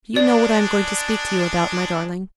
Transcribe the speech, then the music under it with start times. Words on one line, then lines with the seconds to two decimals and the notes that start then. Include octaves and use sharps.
"Do you know what I am going to speak to you about, my darling?"
0.16 G#3 D4 D5